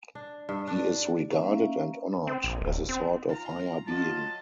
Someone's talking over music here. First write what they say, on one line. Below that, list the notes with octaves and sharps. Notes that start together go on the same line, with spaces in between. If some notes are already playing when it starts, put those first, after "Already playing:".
He is regarded and honored as a sort of higher being.
D4
G2
D4
A#3 C#4 E5 F5
C4
A#1
D1
C4
F4 A#5
F#3 F4 D#5 A5